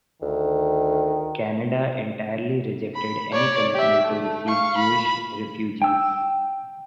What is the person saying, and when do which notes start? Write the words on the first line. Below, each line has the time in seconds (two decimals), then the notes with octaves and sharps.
Canada entirely rejected any commitment to receive Jewish refugees.
0.22 D2 D#3
2.95 B5
3.31 C#5 D5
3.74 G4 E5
4.03 A3
4.48 F5 C#6
4.78 B5
5.82 G5 E6